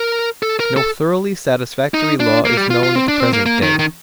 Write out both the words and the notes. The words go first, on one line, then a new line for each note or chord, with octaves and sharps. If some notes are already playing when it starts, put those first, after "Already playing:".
No thoroughly satisfactory law is known at the present day.
Already playing: A#4
A4
A#4
A4
D#4
D4
A#3
G3
F4
F4
C4
D4
C4
A#3
A#3
D#3
D#3